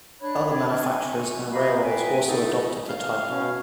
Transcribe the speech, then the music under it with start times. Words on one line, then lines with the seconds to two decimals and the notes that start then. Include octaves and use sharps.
Other manufacturers and railways also adopted the type.
0.20 D4 C#5 B5 F#6
0.83 G#5 C#6
1.51 D#5 F5 A#5 B5
1.82 B4 E5 G5 G#5
2.25 D#4 E4 F#4 A4
2.88 F5
3.30 B2 C#4